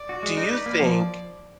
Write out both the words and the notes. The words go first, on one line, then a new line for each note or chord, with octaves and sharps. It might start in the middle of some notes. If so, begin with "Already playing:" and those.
do you think
Already playing: D5
F#4
G#3
D#4
B4
A#3
F3